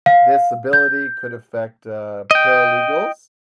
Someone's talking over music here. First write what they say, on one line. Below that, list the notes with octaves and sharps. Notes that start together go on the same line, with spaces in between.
this ability could affect, uh, paralegals
F5
G6
D#5 G5